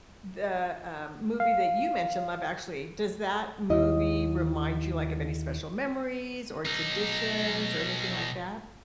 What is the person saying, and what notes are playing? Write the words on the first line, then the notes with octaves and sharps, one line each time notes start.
the, um, movie that you mentioned- Love Actually- does that movie remind you, like, of any special memories, or traditions, or anything like that?
F5
D#2 E4 D#5
B1 D#4